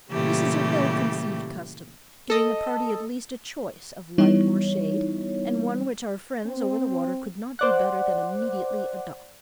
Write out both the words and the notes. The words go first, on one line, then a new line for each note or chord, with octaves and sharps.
This is a well-conceived custom, giving the party at least a choice of light or shade, and one which our friends over the water could not do better than immediately adopt.
A#2 C#3 E3 G3 A3 G4
A4 D#5
E3 G3 B3 D#4 E4 C#5
C4
C5 D5 F#5